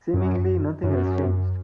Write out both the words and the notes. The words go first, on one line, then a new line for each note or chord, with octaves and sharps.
Seemingly, nothing has changed.
F#2
F#2